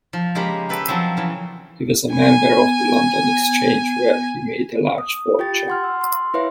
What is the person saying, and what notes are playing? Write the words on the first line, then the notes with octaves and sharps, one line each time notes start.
He was a member of the London Exchange, where he made a large fortune.
F3
C#3 G#3 A#3 G4 A#5 B5
G4 A4 B4 G5
F3 F#3 C4 C5
C#3 E3
B3 G#5
D#6
F4 G4 G5 A6
F#5 C6 F6
E6
C6
E4 B4 C#5 E5 F5